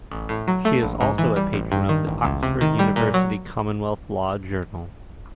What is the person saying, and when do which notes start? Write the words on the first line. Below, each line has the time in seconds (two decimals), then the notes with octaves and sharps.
She is also a patron of the Oxford University Commonwealth Law Journal.
0.11 A1
0.29 A2
0.48 F#3
0.65 A3
0.83 A#1
1.01 G#2
1.18 E3
1.36 G3
1.54 A1
1.72 G2
1.89 D#3
2.07 A1
2.25 C#2
2.43 C3
2.61 D#3
2.79 G3
2.96 A#2
3.14 F#3